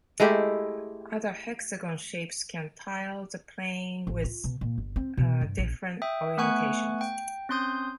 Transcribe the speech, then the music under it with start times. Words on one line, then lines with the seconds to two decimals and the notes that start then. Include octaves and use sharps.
Other hexagon shapes can tile the plane with different orientations.
0.20 G#3 A3 E4 G4
4.07 A1
4.24 F4
4.44 B2
4.61 A#2
4.78 G1
4.96 C4
5.17 B2
5.41 G2
5.58 A#1
6.02 E5 G5 D#6
6.38 A3 B3 F#5 G#5 C#6 F#6
7.01 G5
7.49 C4 C#4 C6 D#6 G6